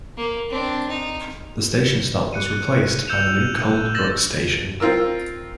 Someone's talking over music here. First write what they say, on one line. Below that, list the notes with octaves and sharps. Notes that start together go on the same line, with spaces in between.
The station stop was replaced by the new Cold Brook Station.
A#3
C4 D4
D#4
F#6 C#7 D#7
E6 G6 C#7 E7 F7
D#7
E6 A6 A#6 E7 F#7
C4 F4 A#4 E6